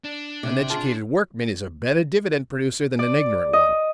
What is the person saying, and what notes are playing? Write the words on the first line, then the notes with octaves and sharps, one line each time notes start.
An educated workman is a better dividend-producer than an ignorant one.
D4
C3
F4 G#4 A5
D5
D#5